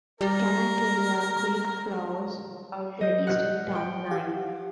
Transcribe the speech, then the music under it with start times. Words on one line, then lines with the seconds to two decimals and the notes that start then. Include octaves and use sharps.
Canacadea Creek flows out the eastern town line.
0.21 G3 A#4
3.01 F#3 D#5 G6
3.27 F#5 F6 F#6
3.75 G5
4.11 G4 F5 F#5